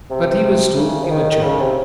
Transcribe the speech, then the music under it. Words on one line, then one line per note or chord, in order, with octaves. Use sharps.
But he was still immature.
C3
C#3
F3
D#3
D#3
C#3
C3